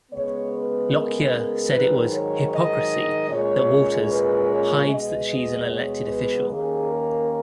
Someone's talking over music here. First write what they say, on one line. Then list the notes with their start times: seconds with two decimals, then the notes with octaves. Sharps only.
Lockyer said it was "hypocrisy" that Walters "hides that she's an elected official".
0.12 C#3 G#3 B3 C#5
0.51 B4
0.92 A#4
1.31 A#4
1.70 G#2 D#3 F#3 B4
2.11 C#5
2.50 D#5
3.29 A#2 G#3 C#4 C#5
4.09 B4
4.49 C#5
4.88 B2 G#3 B3 D#5
5.28 D#5
5.68 C#5
6.07 B4
6.48 D#2 D#3 A#3 C#4 G#4
6.87 A#4